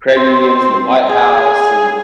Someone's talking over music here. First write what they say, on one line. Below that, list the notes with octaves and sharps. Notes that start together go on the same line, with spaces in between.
credit unions and the White House, and
C4
G#4